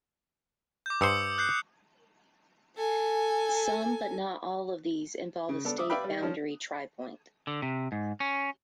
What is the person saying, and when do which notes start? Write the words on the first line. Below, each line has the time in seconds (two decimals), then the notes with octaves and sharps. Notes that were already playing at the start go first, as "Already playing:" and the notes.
Some, but not all, of these involve a state boundary tripoint.
0.86 D6 G6
1.01 G2 C5 D#6 E6 C#7
1.38 F#6 G6 C7
2.77 A4 G#5
5.49 C#3
5.65 B3 D4 A4
5.78 E5 D6 D#6
5.90 B4 D5 E5 F5 G5 B5
6.04 G3
6.22 F3 C#4
7.47 D3
7.62 C3
7.92 G#2
8.20 C#4